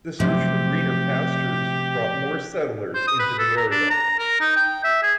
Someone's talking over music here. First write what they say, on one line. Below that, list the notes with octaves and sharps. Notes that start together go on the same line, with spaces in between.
The search for greener pastures brought more settlers into the area.
C3 F3 F#3 A3 G4
C5
D#6
B4
A4
A#5
D4
A#5
A#4
D#4
G5
E5
G#4